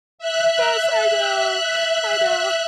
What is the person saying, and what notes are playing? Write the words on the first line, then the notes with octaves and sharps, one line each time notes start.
Yes, I know, I know.
E5 F#6